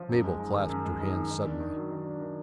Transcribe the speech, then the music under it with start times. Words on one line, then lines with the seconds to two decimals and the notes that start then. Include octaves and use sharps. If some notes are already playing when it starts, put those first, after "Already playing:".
Mabel clasped her hands suddenly.
Already playing: F3
0.09 F#2
0.24 G#3
0.39 D#4
0.54 D#3
0.69 F#2
0.85 G#3
1.00 D#4
1.15 D#3
1.30 D#3
1.45 D4
1.60 D#3
1.76 F#3
1.91 D#3
2.05 D4
2.21 D#3